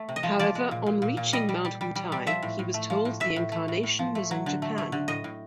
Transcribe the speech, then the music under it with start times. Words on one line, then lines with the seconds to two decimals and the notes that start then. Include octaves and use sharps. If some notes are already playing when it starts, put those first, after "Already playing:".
However, on reaching Mount Wutai, he was told the incarnation was in Japan.
Already playing: A3
0.09 C3
0.16 D#5
0.23 F3
0.39 F3 D5
0.55 G#3
0.71 A#2
0.86 A#2
1.02 A#2
1.17 A#2
1.33 G3 D#5
1.49 G3
1.65 G3
1.81 G3
1.95 G3
2.12 G3
2.27 F3 E5
2.43 A2
2.59 A2
2.74 A3
2.90 F3
3.05 A2
3.20 A2 E5
3.36 A2
3.52 A3
3.68 A2
3.83 A2
3.99 F3
4.15 A3
4.31 F#3
4.46 D3
4.62 A3
4.78 A3
4.92 D3
5.08 A2 D#5
5.24 A2